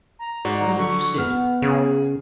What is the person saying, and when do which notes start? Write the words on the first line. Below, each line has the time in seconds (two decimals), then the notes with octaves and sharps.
Where will you sit?
0.19 A#5
0.45 G#2 F#4 D5
0.79 D3 C#6
1.18 B3 F6
1.62 C#3 G#4